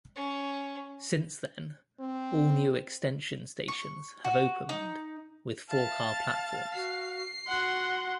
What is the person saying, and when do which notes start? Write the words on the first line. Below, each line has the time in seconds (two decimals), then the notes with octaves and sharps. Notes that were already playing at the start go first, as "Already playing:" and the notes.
Since then, all new extension stations have opened with four-car platforms.
0.16 C#4
2.00 C4
3.68 C#6
4.25 F#4
4.69 D#4
5.70 E5 F5 A5 A6
6.74 F#4 C7
7.48 F#4 F#5 C6 F#6